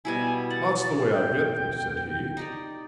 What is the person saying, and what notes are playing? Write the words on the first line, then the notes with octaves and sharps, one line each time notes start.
"That's the way I get them," said he.
B2 G3 E4 G#5
F#5 A6
G5
D#4 G4 D5